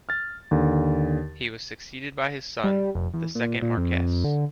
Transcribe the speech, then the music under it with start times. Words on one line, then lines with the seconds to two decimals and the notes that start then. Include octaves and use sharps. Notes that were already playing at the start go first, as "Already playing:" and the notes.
He was succeeded by his son, the second Marquess.
0.09 F6 A6
0.51 D#2 D3
2.64 G3
2.95 F1
3.14 E2
3.35 A#2
3.62 A#2
3.77 F2
4.24 D3